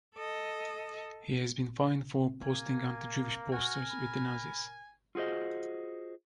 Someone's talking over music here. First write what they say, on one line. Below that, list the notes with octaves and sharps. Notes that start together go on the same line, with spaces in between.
He has been fined for posting anti-Jewish posters with the Nazis.
A4 D#5
A#3 G#5
F#4 A#4 G#5
B5
F4 F#4 G#4 C5 D#5